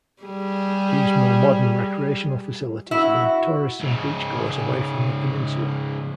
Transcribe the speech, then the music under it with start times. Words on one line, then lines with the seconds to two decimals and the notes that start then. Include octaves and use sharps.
These more modern recreational facilities lured tourists and beachgoers away from the peninsula.
0.23 G3 G#4
2.91 E4 F#4
3.80 G#2 C#3